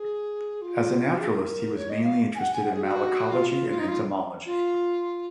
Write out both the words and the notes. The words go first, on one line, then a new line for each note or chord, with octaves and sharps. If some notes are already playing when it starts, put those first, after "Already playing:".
As a naturalist he was mainly interested in malacology and entomology.
Already playing: G#4
F4
F4
F#4
G#4
A#4
C#5
D#5
F5
G#5
F#5
G#5
F#5
G#4
F#4
F4
F4
F4
D#4
F4
F4